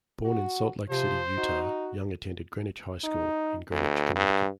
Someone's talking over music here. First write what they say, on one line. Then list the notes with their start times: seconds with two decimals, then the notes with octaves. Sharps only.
Born in Salt Lake City, Utah, Young attended Greenwich High School in Greenwich, Connecticut.
0.25 F#4
0.90 C3 F3 C5
1.38 D#4 F#4
3.04 D#4
3.71 D2
4.16 G2